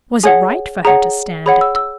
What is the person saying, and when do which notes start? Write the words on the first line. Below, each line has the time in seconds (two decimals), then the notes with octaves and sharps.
Was it right for her to stand it?
0.23 G#4 C#5 F#5 G#5
0.85 G#4 C#5 F#5 A#5
1.46 G#4 C#5 F#5 B5
1.61 E6
1.76 E6